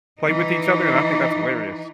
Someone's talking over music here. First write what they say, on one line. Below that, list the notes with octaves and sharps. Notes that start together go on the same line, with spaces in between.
play with each other, and I think that's hilarious.
E3 D#4